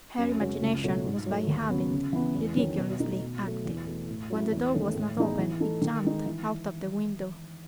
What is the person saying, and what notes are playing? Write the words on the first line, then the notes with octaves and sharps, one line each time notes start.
Her imagination was by habit ridiculously active; when the door was not open it jumped out of the window.
F#2
C#3 G#3 C#4 F#4
C#2
B2 F#3 A3
G#2
F#3 A3
D#2
C#3 F#3 B3
C#3
E3 B3
E2
D#3 F#3 C#4
B2
A3 D#4
B2
F#3 A3
E2
B2 A3
A2
F#3 A3 C#4 E4
E2
D#3 A3 C#4
A2
E3 B3 D#4 G#4
E3
A3 D#4 A4
D#3
G#3 D#4
E3